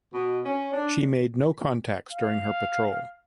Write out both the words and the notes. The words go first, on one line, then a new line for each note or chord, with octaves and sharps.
She made no contacts during her patrol.
B2
C#4
D4
F5